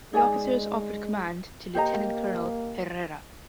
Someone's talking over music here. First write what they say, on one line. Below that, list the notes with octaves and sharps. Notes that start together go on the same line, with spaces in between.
The officers offered command to Lieutenant Colonel Herrera.
G#3 D#4 G#4 D5 G#5
A#3 G4 C5 D#5 A#5